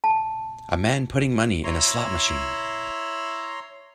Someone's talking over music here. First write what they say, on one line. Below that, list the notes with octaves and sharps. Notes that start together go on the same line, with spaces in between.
A man putting money in a slot machine.
A5
E4 C#5 A#5 C6